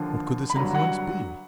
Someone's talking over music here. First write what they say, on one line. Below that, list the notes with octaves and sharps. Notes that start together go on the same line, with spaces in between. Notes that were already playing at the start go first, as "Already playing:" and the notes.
What could this influence be?
Already playing: D#2 D3 F3
B5
G2 D3 F#3 A#5
F#5